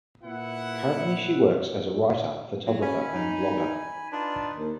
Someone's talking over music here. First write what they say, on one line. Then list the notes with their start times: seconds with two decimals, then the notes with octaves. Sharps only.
Currently she works as a writer, photographer, and blogger.
0.24 A#2 B3 E4 F#5
2.66 F#3
2.82 C#4 G#5 B5
3.14 D#4
4.12 D4 D#4 F4 B4
4.56 D#2